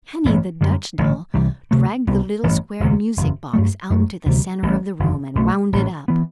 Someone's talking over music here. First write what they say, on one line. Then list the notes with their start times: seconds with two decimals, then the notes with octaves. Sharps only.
Henny, the Dutch doll, dragged the little square music box out into the center of the room and wound it up.
0.25 A1 G2 E3 B3
0.61 F#2 D3 G3
0.98 A1 G2 D3
1.34 C2 C3 E3 G3
1.71 D2 C3 F#3 A3
2.07 C2 C3 G3 B3
2.43 A1 G2 E3
2.80 E1 D2 C3
3.17 F#1 E2 C3
3.54 G2 F#3 A3
3.90 F#2 F#3 A3
4.26 D2 C3 E3 G3
4.63 A1 A2 G3
4.99 F#1 E2 D3
5.35 B1 B2 A3
5.72 A1 A2 F#3
6.08 E3 B3